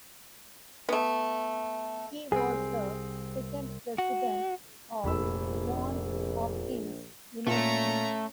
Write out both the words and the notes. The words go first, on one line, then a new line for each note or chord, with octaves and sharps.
He was the second president of Johns Hopkins University.
A3 B3
C2 C4 G#4
F#4
F1 A#1 B5 E6
A#2 A3 C#4 A#5